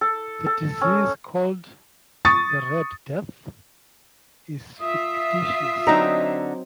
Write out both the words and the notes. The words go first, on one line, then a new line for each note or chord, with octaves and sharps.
The disease called the Red Death is fictitious.
A4
A4
C#4
C#6 D#6 A6
F4 E5 D#6
D3 F#3 C4 D#4 A#5